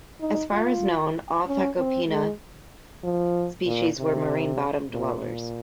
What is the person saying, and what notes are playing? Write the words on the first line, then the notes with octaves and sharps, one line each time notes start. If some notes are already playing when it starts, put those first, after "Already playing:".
As far as known, all Phacopina species were marine bottom-dwellers.
D#4
F4
C#4
C4
G#3
F3
A#2
C3
A#2
A#2